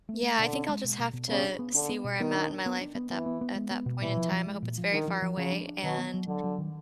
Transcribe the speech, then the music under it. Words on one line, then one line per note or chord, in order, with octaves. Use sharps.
Yeah, I think I'll just have to see where I'm at in my life at that at that point in time. I hope it's very far away and
A3
A3
B2 D3
C4
G#3
B2
B2
B2
C#3 B3
D4
B3
D3 D4
B3
B2
D#3 B3
D4
D4
B3
D4
B3
E3 B3
B3
B3
G#3
B3
B2
A#2 E3
F3
F3
G#3
A#2
F3
D#3 D4
F3
F3
C#3 F3
D4
D4
B2 D#3
B3
F#3
D3 F#3
F#3
D#3